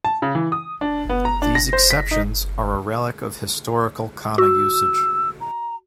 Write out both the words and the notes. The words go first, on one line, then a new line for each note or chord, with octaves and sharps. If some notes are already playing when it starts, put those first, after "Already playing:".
These exceptions are a relic of historical kana usage.
A5
C#3
E3
D#6
D4
B3
A#5
D4
A#6
C5
B6
D#4
F#4 E6
A#5